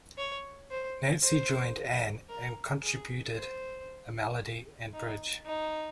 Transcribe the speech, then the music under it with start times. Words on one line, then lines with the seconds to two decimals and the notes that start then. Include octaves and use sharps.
Nancy joined Ann and contributed a melody and bridge.
0.18 C#5
0.71 C5
1.24 C5
2.29 A#4
2.82 G#4
3.35 C5
4.94 D#4
5.46 D#4